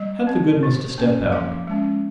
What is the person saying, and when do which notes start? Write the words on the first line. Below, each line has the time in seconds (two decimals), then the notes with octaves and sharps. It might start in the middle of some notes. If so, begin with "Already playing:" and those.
'Have the goodness to step out.'
Already playing: G3 D#5
0.27 C4
0.63 D#3
0.98 A#3 C#4
1.32 F3 F5
1.67 G#3 C#4